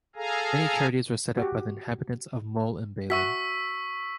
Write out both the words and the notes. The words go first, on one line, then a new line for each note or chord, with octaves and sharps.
Many charities were set up by inhabitants of Mol and Balen.
G#4 A4 F5 G#5 A#5
F#4 G4
F#4 E5 C#6 E6 B6